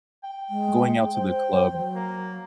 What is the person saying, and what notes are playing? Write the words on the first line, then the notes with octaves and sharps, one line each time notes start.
Going out to the club
G5
G#3
C5 G5
F#3
A#3